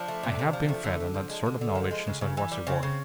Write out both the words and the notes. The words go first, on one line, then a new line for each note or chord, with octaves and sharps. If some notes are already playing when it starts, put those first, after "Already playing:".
I have been fed on that sort of knowledge since I was a boy.
Already playing: F3 D4
A3
C3
C3
F3
A3
D3
D3
F3
G#3
D3
D3
F3
G#3
C#3
C#3
E3
G3
C#3 C4
C#3